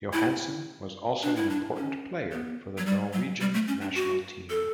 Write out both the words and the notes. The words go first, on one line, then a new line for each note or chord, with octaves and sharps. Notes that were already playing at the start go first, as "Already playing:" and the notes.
Johansen was also an important player for the Norwegian national team.
E4
D4
E4
D4
C#4
B3
F#3
G3
F#3
G3
A3
C#4
D4
F#4
A4